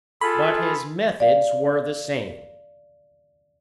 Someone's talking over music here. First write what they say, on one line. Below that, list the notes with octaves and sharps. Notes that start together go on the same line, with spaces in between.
But his methods were the same.
F4 G#4 A4 B5
D5 F5